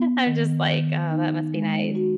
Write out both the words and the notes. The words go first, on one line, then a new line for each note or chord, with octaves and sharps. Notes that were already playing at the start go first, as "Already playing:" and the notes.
I'm just like, "Oh, that must be nice."
Already playing: B3
D#3
D#3
D#4
G#3
F#4